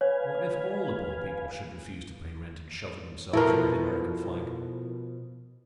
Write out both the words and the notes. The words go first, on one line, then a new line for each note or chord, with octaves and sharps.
What if all the poor people should refuse to pay rent and shelter themselves under the American flag?
B4 C#5 F5 G#5
B2 F3 E4 A4 A#4